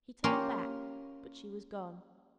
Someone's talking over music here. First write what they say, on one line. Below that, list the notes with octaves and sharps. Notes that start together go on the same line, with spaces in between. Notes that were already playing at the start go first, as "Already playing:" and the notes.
He turned back, but she was gone.
A#3 C#4 F4 G4 A#4